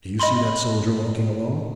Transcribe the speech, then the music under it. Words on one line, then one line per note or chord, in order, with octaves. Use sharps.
Do you see that soldier walking along?
D#5 B5 C6